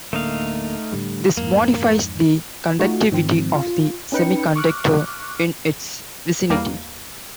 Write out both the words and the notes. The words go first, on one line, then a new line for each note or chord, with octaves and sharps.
This modifies the conductivity of the semiconductor in its vicinity.
D1 D3 A3 A#3 D#4 F5
A2 D3 G3
F2 G#2 A#3
A3 D#4 F4 F#4
G#2 D#3 F3 C4
F4
C#4 D#4 B4 G5 C#7
C#6 D6 F6 F#6
E2 G3 A#3